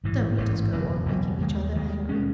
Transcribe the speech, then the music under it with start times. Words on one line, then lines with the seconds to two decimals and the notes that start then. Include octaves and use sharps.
'Don't let us go on making each other angry.
0.04 A1 G#2 E3
0.38 A1 G#2 E3
0.72 F#1 E2 B2 F#3
1.06 F#1 E2 B2 F#3
1.41 D#2 D#3 G#3
1.75 D#2 D#3 G#3
2.09 B2 G#3 C#4